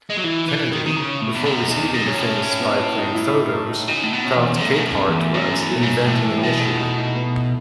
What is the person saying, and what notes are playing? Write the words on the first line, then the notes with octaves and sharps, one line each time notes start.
Kennedy, before receiving the famous spy-plane photos, thought Capehart was "inventing an issue".
G#3
F#3
E3 E4
E3
D#3
D#3
C#3
A2
E2
F#2
E2 D#4
D#4
F#2
C#4
A2
C#4
C#4
B3
B3
D#4
E4
D#4
D#4
D#4
C#3 D#4
A2 D#4
B2
C#4
E2
B3
E2
F#2 A3
G#2 A3
F#2
B3
E2
A3
F#2 F#3
E2
F#3
G#2
A2 E3
E3
E3
B2 F#3
A3
D#4
D#4
B3